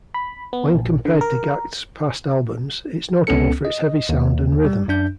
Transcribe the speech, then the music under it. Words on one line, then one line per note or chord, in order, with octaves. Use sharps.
When compared to Gackt's past albums, it's notable for its heavy sound and rhythm.
B5
B3
A#1
D3
A#4
C#2 B3 C#4 A4 C#7
D#5
D#2
G3
F#2 D4 G6